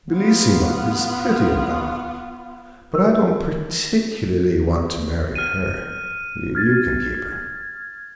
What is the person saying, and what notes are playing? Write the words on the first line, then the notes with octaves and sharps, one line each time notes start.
"Bellissima is pretty enough, but I don't particularly want to marry her--you can keep her."
B3 F4
A#4 B4
F6 D#7
F6 G#6 A6